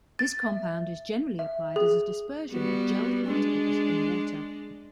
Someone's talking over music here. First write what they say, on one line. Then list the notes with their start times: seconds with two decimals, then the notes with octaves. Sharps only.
This compound is generally applied as a dispersion of gelled particles in water.
0.19 A6
0.47 E5
1.39 E5
1.76 G#4
2.51 G3 B3 F#4
3.26 G#3 D4